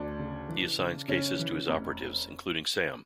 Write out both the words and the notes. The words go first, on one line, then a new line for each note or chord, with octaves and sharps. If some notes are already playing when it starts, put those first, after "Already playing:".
He assigns cases to his operatives, including Sam.
Already playing: D2 D4
C#3
E3
C#3
C#3 C#4
E3
F1